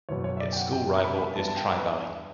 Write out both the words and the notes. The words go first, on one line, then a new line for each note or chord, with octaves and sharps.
Its school rival is Tri-Valley.
F#1 E2 B2 F#3 C#5
C#5
E5
D5
G5
F#5
G5
B5
B5
G2 E3 B3 D4 A5
A5
G5
B4